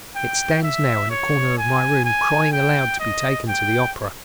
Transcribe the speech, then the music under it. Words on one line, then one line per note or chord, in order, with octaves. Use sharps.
It stands now in a corner of my room crying aloud to be taken to the opera.
G5
E5
C#5
G#5
G#5
G5
D#5
G5